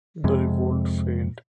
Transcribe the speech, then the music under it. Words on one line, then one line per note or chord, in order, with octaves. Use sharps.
The revolt failed.
F2 C3 G#3